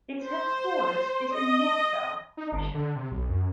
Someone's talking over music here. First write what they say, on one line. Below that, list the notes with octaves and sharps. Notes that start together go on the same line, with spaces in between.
Its headquarters is in Moscow, Russia.
C5
D#5
D#4
G1
D3
C3
B1
F#2